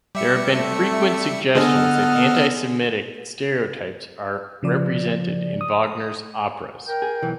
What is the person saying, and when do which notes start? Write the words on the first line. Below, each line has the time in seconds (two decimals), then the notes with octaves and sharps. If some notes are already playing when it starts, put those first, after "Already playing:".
There have been frequent suggestions that antisemitic stereotypes are represented in Wagner's operas.
0.15 G3 E5 D6 C#7
0.53 A3 C4
1.55 D3 B3 G#4 A4 D#5 F#5 D#6 F6
4.63 C#3 F3 D5
5.61 D#6
6.87 A#4 G5
7.02 G#4
7.22 B1 E3